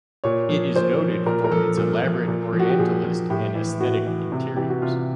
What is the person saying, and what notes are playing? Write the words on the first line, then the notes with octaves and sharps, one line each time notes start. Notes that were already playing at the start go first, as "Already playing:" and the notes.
It is noted for its elaborate Orientalist and aesthetic interiors.
A#2 C#5
F3
A#2 C5
F3
A#2 A#4
A#4
F3 A4
A#2
F3
A#2
F3
F#4
G4
A#2 G#4
F3
A2 G4
E3
A2 F#4
E3
C3
E3 G4
F#4
C3 F4